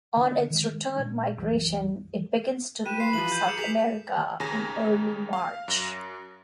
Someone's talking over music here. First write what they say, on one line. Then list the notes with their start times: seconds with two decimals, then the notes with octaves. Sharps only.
On its return migration it begins to leave South America in early March.
0.17 D3 D4
0.50 D#3 G#3
0.96 A#2 G#3 D4
1.37 C2 F#2 E3 F#3
2.86 G4 B4 D#7 E7
3.00 F5 C6 C7
3.13 E3 F3 F#7
3.32 G6
3.47 G#4 A#5 D6 B6 C#7 E7
3.59 G#4 A#4 B4 B6 F7
4.40 D#2 C#3 G#5 A#5 A#6
5.33 F5
5.68 F#2 A#6